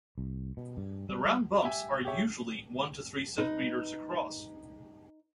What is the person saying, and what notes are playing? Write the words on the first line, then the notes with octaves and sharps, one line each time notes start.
The round bumps are usually one to three centimeters across.
C2
B2
G2
G3
G3
G4 E5 G#5
G4 G#4 C#5 E5
D#4 B4